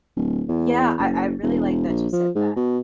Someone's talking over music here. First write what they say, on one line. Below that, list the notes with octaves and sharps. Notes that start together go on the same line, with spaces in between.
yeah, I I really like that you said that,
D1
E2
F#1
E1
A#1
F3
G#2
B2